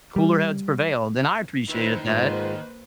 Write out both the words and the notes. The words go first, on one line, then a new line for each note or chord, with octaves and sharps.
cooler heads prevailed, and I appreciated that,
G3
D#3 D#4 E4 B4 C5
G#2 A#3 F4 B4 C5